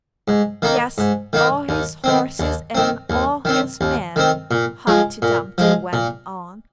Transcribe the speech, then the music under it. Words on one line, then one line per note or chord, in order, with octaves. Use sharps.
'Yes, all his horses and all his men,' Humpty Dumpty went on.
G#2
D#3 A#3 D#4
G#2
D#3 A#3 D#4
D#2
D#3 C4
D#2
D#3 C4
D#2
D#3 C4
D#2
D#3 C4
A#2
F3 G#3
A#2
F3 G#3
A#2